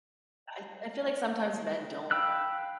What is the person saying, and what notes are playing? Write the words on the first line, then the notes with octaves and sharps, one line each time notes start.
I f I feel like sometimes men don't
F5 G5 B5 E6 F#6